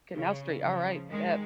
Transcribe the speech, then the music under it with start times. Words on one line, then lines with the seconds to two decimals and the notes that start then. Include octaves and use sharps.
Canal Street. Alright, that
0.15 C#3
0.62 C#3 F3
1.09 D#3 G#3